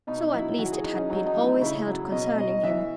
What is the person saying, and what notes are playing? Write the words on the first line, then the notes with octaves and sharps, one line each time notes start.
So, at least, it had been always held concerning him.
B2 D#4
F#3 E4
E3 F#4
G#4
E3 D#4
C#4
F#3 D#4
D#4
A2
D#4
C#3 E4
F#3
B2 D#5
B2 D#5
E3 E5